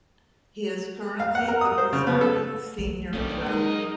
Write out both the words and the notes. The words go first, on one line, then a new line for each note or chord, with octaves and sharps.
He is currently the presiding senior judge.
F5
F#5
A#4
D#6
C5
C#3
B3
A4
E3 A3
D#3 E3 G3 A3 A#3 C#4 D4
F#2 G#3 D#4 A#4 D#5